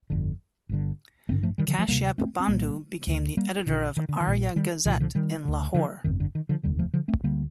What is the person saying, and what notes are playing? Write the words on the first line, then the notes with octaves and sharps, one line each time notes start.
Kashyap Bandhu became the editor of Arya Gazette in Lahore.
G1 F2 D3
G1 G2 D3
A1 G2 D3 A3 C4
F3 A3
D#3 G3
D3 F3
F3 A3
D2 C3 G3 A#3
A3 C4
C4
C2 A#2 G3 A#3
D2 D3
G3 A#3
A#1 A#2 D3
D#3
D3
D#3
A#1 A#2
D#3 G3
C2 A#2 D3 F3
D3 F3
D#3 G3
D2 D3
D3 F3
G1 F2 C3 D#3
D3
D#3
D3 F3
F1 D#2 D3 G3
F3 A3
D3 F3
A3 C4
D2 D3 G3 A#3